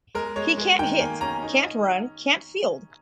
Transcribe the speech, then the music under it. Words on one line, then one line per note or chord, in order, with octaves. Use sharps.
He can't hit, can't run, can't field.
G#3 A#4
G#3 C#5
G#3
D#3 G5
A#3 G#5
C#4 A#5
D#4